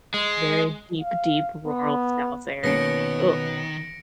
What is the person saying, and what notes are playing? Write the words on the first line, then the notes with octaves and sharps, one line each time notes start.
very deep, deep rural South area, ugh.
G#3
F5
B3
B2 D#3 A#3 B3 C#4 A#6 C#7 D7